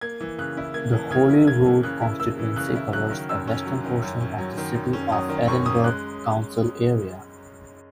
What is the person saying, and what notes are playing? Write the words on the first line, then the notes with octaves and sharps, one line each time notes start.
The Holyrood constituency covers a western portion of the City of Edinburgh council area.
A#3 G#6
E3
C#3 F#6
E4
A#3 G#6
E3
C#3 G#6
E4
A#3 G#6
E3
C#3 F#6
E4
A#3 E6
E3
C#3 F#6
E4
F#3 F#6
D#3
F#2 E6
C#4
F#3
D#3
F#2
C#4
F#3
D#3
F#2
C#4
F#3 D#6
D#3
F#2 C#6
C#4 D#6
G#3 F#6